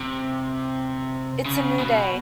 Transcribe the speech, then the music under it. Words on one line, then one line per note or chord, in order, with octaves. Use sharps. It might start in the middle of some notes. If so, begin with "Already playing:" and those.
It's a new day.
Already playing: C3
C#3
B2